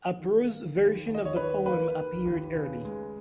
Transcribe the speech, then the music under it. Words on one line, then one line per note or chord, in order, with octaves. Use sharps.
A prose version of the poem appeared early.
D#3
A#3
D#2
D#2
D#5
C#5
D#3 B4
A#3 B4
D#2
D#2
C#3
G#3